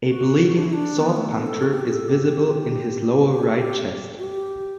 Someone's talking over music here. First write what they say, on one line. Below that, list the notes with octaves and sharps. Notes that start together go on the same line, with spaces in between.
A bleeding sword puncture is visible in his lower right chest.
F#4
D4
E4
D4
B3
A3
B3
A4
F#4
G4
G4
A4
G4
G4
G4
A4
G4
F#4
G4